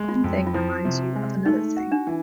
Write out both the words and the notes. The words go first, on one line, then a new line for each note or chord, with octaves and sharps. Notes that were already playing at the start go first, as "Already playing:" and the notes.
One thing reminds you of another thing.
Already playing: G#3
F4
F2
F4
F3 E4
C3
G#3
A3 D#4
F#4
D4
E3